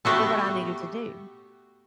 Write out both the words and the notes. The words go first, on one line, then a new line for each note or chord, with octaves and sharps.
did what I needed to do.
A3 B3 F#4 G4 G5